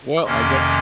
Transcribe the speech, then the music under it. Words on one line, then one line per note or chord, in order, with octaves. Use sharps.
Well, I guess
F2 C3 D#3 A#3 C#4 D#5